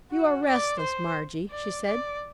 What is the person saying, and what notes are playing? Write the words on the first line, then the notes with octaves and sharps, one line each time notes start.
"You are restless, Margie," she said.
F#4
D5
C5
D5
D5